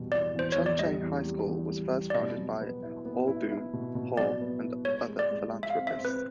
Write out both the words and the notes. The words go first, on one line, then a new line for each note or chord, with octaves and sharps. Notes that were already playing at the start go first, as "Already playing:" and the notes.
Chung Cheng High School was first founded by Aw Boon Haw and other philanthropists.
Already playing: E2 B2 G3
E2 D5
E2 C5
E2 C#5
D5
G3 D#5
E2
G3
E2
G3
G3
D5
B2 D#5
F#3
B3
E4
B3
E4
E4
B2
B2
F#3 D5
B3
E4
G#3 C#5
G#3
D5
G#3
G#3
E5
F5
C4
E5
C4
B4